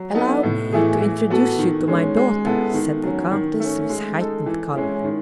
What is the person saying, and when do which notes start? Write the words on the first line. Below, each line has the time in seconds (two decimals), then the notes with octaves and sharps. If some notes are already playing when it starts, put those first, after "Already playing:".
"Allow me to introduce you to my daughter," said the countess, with heightened color.
Already playing: F#3
0.15 B3 D#4 A4
0.43 A2
0.72 E3 A3 E4 G#4
1.01 E3
1.30 B3 F#4 A4
1.59 D#3
1.88 G#3 C#4
2.17 G#3
2.45 B3 E4 A4
2.74 D#3
3.03 F#3 C#4
3.31 D#3
3.60 A3 C#4
3.89 G#3
4.18 D#4 A4
4.46 E3
4.75 G#3 C#4 E4
5.04 D#3